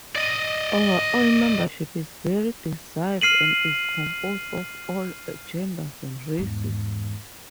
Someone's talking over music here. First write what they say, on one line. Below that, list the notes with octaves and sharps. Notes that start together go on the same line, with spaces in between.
Overall, membership is very diverse and is composed of all genders and races.
D5 D#5
F6 C7 D#7 F#7
E2 G#2